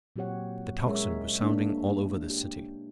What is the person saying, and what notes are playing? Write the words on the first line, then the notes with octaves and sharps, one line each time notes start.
The tocsin was sounding all over the city.
A#2 F#3 C4 G4 C#5 F#5
G#3 C#4 G#4 A#4 C#5 E5
A#3 D4
G4